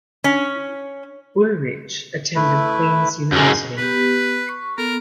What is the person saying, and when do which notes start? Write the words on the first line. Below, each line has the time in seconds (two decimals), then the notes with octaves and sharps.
Ullrich attended Queens University.
0.24 C#4
2.36 A3 E4 B4
3.32 F#2 G#3
3.78 B3 G4 B4
4.49 C#6
4.78 B3 A4 A#4